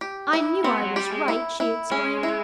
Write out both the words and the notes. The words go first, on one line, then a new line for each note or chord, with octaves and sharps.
"I knew I was right!" she exclaimed.
G4
E4
B3 C4
F#3
G3 G4
G#3
E4
E4
G#3 C#4
E4